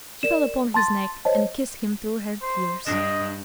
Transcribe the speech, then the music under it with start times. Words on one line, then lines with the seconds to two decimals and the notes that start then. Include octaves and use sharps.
She fell upon his neck, and kissed him through her tears.
0.23 A#4 D5 E7
0.74 A5 C6 A6
1.25 C5 C#5 D#5 A5
2.42 C5
2.87 G2 D4 D#5